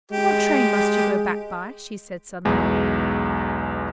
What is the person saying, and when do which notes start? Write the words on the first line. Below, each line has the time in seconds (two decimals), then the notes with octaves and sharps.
"What train must you go back by?" she said suddenly.
0.11 G#3 G4
2.45 B1 E2 G#3